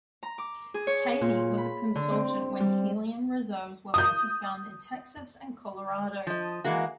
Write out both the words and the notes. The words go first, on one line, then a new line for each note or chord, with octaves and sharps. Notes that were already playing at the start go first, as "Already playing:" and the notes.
Cady was a consultant when helium reserves were later found in Texas and Colorado.
A#5
D6
G#4
C#5
A#2
B5
D3
C4
G3
D#6 G6
F3 D#5
E3 G#3 A#3 F#4